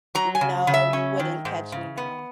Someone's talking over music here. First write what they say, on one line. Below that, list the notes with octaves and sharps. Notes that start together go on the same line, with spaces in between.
No, you wouldn't catch me, no.
F#3 A#5
G#5
C#3
C#3
E5
C#4
D#3
G#2
C#3
B3